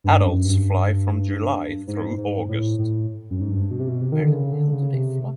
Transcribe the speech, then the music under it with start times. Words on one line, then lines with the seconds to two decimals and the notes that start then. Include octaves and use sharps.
Adults fly from July through August.
0.04 G2
0.25 F#2
0.45 G2
1.87 G#2
2.18 G#2
2.49 A2
2.79 A2
3.30 F#2
3.41 G#2
3.51 G2
3.71 B2
3.79 C3
3.88 B2
4.01 C3
4.12 D#3
4.22 D3
4.32 C#3
4.52 D3
4.73 C#3
4.93 C3